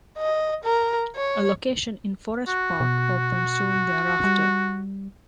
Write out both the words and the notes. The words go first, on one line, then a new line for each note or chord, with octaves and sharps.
A location in Forest Park opened soon thereafter.
D#5
A#4
C#5
F#4
B2
G3